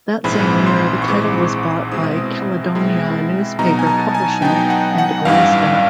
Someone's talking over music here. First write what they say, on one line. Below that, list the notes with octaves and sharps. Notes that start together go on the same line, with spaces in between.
That same year the title was bought by Caledonia Newspaper Publishing and Glasgow.
A#1 G#2 E3 G#3 C4 B5
C6
C#6
A#1 G#2 E3 G#3 C4 D6
B2 G#3 C4 E4 D#6
B2 G#3 C4 E4
B2 F#3 B3 D#4 A#5
G#5
A5
G#5
B2 F#3 B3 D#4 G5
F#5
F#5
A1 G2 E3 G3 F5